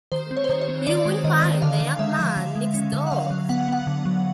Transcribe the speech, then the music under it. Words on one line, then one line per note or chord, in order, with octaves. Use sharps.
You will find the young man next door.
D#3 C5
C4
C#5
C5
D#3 C#5
C#5
C4
D#3 D5
G#3
D#3 D#5
D#3
D3 F5
D3
G#3 E5
F3
D3
G#3
C#4
D3
F#5
F#3 F5
F#3
B3 F#5
B3 F#5
D3
F#3